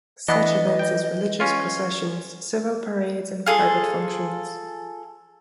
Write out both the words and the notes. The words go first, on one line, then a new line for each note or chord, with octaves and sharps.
Such events as religious processions, civil parades, and private functions.
E3 B3 D4 D#5
G5
C#4 F4
F4 G#4 A4